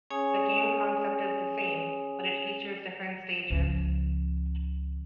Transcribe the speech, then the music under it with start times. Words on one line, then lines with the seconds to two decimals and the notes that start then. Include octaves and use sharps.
The game concept is the same, but it features different stages.
0.10 C#4 G#4 C#5 G#5 D#6
3.50 C#2 F3